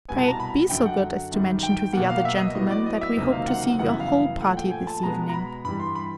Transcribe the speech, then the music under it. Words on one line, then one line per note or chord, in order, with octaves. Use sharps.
Pray be so good as to mention to the other gentlemen that we hope to see your whole party this evening.
C2 B2 G3 B3 G#5
A5
A#5
B5
F#2 D3 F#3 G5
F#5
F#2 D#3 G3
G5
B2 F#3 A#3 F#5
F5
E5
D#5
A2 F#3 B3 D#5
D5
D#5
E5
C#2 C3 D#3 F#3 A#3 D#5
F5
F#5
F#5
F#2 C#3 E3 G3 B3 F#5
E5
F5
A#2 F3 A3 F#5
G5
G#5
A5
B2 G#3 B3 A#5
A#5
B5
G2 E3 G3 B5
C6
B5